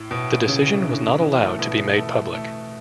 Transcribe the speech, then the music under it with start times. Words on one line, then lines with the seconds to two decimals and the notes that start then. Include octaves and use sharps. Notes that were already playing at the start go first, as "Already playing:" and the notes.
The decision was not allowed to be made public.
Already playing: A2
0.11 B2
0.48 C#3
0.85 D3
1.22 E3
1.41 A3
1.59 B2
1.78 B2
1.97 A3
2.34 A3